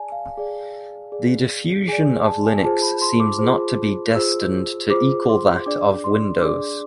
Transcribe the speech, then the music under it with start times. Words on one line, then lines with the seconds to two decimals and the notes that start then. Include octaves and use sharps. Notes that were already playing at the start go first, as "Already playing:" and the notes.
The diffusion of Linux seems not to be destined to equal that of Windows.
Already playing: G#4 D5 G#5 A5
0.12 F5
0.38 G#4 D5
1.12 G#4 D5
1.88 G#4 D5 G#5
2.26 A5
2.45 G#5
2.63 F4 G#4 C5 A5
2.82 B5
3.02 C6
3.20 D6
3.39 F4 G#4 C5
4.15 F4 G#4 C5 E6
4.90 F4 G#4 C5 D6
5.29 C6
5.66 D4 G#4 D5 D6
6.04 C6
6.41 D4 G#4 D5 D6